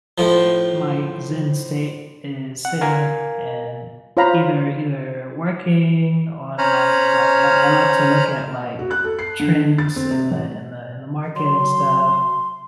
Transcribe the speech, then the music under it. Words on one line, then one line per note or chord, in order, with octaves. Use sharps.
my Zen state is sitting, and p either either working on, like like, uh, I like to look at, like, trends in the in the in the market and stuff,
A2 F3
F#5
A#4 F5 G#5
F4 C5 C#5 F5 A#5 B5
C#4 C5 C#5 A#5 B5 F6
F#4
F#6
A4
C7
D3
A6
C4
C3
A1
F#3 C6